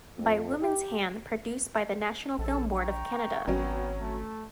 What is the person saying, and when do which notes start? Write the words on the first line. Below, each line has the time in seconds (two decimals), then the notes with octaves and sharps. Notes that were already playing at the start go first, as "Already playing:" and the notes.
"By Woman's Hand", produced by the National Film Board of Canada.
0.17 F2
0.62 G4
2.39 A#1 A4
2.72 G5 A#5 C#6
3.47 G#1 F#3 B3 C#4 D4 G5
4.01 A3